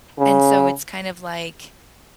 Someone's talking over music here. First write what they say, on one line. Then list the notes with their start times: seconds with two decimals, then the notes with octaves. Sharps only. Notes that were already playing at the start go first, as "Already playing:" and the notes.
and so it's kind of like,
0.19 C#3